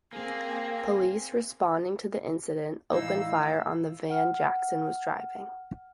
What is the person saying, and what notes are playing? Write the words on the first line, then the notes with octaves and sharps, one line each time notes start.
Police responding to the incident opened fire on the van Jackson was driving.
A#3 C4 G#4
A2 E3 D#4 E4 F5 E6
F#5 F6